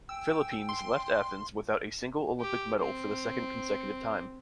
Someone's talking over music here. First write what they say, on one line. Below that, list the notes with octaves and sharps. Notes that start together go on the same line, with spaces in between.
Philippines left Athens without a single Olympic medal for the second consecutive time.
G5 G#5 E6
C6
G4
C4